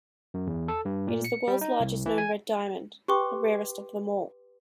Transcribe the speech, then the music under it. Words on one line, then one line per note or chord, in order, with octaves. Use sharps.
It is the world's largest known red diamond, the rarest of them all.
F#2
E2
A4
G2
A#2
C#7
G3
D#4
C2
E3
G#5
G4 B4 G5 C6 D6